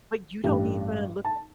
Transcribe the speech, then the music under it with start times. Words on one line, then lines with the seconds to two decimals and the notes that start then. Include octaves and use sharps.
But you don't even look at
0.44 A1 G2 G3
1.25 A5